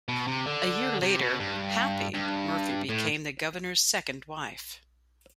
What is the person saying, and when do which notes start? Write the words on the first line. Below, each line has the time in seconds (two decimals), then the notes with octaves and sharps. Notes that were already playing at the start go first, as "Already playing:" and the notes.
A year later, "Happy" Murphy became the governor's second wife.
0.09 B2
0.27 C3
0.46 D3
1.03 C3
1.21 B2
1.40 G2
2.14 G2
2.89 A2